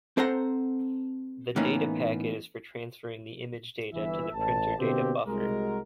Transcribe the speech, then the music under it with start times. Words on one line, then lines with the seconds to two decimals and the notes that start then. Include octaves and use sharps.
The data packet is for transferring the image data to the printer data buffer.
0.17 C4 A4 C5 F#5 A#5
1.56 A2 E3 A#3 B3 C#4 D#4
3.94 G1 E3 E5
4.34 A1 A5
4.79 B2 D3 A#3 C4 G4
5.27 C2 G#3 F#4 A#4